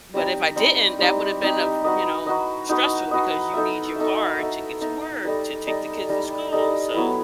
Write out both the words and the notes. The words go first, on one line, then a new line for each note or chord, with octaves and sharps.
but if I didn't, that would’ve been, uh f you know, stressful because you need your car to get to work, to take the kids to school, so
G3 C4 D#4 G4
G3 C4 D#4 G4
G3 C4 D#4 G4
G3 C4 D#4 G4
D#4 F#4 B4 D#5
D#4 F#4 B4 D#5
D#4 F#4 B4 D#5
D#4 F#4 B4 D#5
D#4 A4 E5
D#4 A4 E5
D#4 A4 E5
D#4 A4 E5
G3 D#4 A4 D#5
G3 D#4 A4 D#5
G3 D#4 A4 D#5
G3 D#4 A4 D#5
F#3 B3 E4 B4